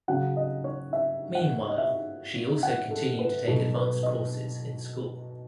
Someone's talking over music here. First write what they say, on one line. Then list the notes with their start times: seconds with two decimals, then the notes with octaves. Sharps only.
Meanwhile, she also continued to take advanced courses in school.
0.08 C#3 F#3 F#5
0.37 D#5
0.64 C#5
0.93 E5
1.35 F#5
1.60 C#5
1.69 D#5
1.78 E5
2.63 F#5
2.91 A4
3.19 B4
3.48 B2 F#3 A4
3.76 B4
4.03 D#5